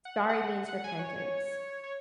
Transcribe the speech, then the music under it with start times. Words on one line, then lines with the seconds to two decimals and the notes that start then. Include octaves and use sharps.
sorry means repentance.
0.05 F#5
0.29 F#5
0.68 F#5
0.84 G#5
0.99 C#5
1.83 C#5